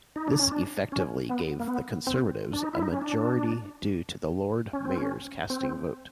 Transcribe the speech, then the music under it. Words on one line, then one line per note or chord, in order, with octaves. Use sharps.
This effectively gave the Conservatives a majority due to the Lord Mayor's casting vote.
D#4
D4
C#4
D4
C#4
B3
A#3
B3
C4
D4
D#4
E4
D#4
C#4
D4
C#4
C4
C#4
C4